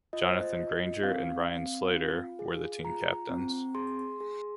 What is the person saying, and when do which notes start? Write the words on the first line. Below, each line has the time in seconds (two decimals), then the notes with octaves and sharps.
Jonathan Grainger and Ryan Slater were the team captains.
0.13 F4 D#5
0.24 C5
0.34 D#5
0.59 F4
1.03 C4 F5
1.49 C4
1.94 F4
2.39 G#4
2.84 F4 A#5
3.29 C4
3.75 G#4 C6
4.20 G#4